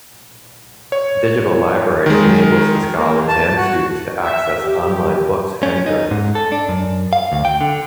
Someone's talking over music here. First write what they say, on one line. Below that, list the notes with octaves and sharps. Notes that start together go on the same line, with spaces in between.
A digital library enables the scholars and students to access online books and journals.
C#5
D#3 G#3
A#3
A5
F#4
E5
G4
C#4
D#4
G#2
A4
D4
F#2
F5
D2
G5
D3